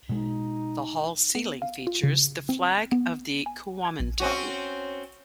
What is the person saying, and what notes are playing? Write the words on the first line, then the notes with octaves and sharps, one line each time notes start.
The hall's ceiling features the flag of the Kuomintang.
B2 G#3 D#4
B3
F5
F4
C#3
C4
B3
G#5
G#6
A#1
C4 C#4 F#4